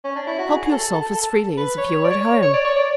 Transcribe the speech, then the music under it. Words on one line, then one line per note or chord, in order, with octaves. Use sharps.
Help yourself as freely as if you were at home!
C#4
D4
E4
F#4
G#4
G#4
A4
A4
A4
B4
C#5
D5
C#5
C#5
D5
C#5
D5